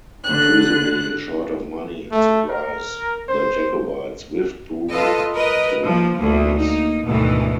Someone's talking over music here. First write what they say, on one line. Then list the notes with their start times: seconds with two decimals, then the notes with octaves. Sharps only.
Increasingly short of money and supplies the Jacobites withdrew to Inverness.
0.24 D3 F#6
2.12 A3
2.48 A#4
3.28 C5
4.90 F4 A4 B4 D#5
5.33 A#4 B4 D#5
5.84 F3 A#3
6.20 D2
6.56 A#3 D#4
7.04 D2 G#2 B2 D#3 E3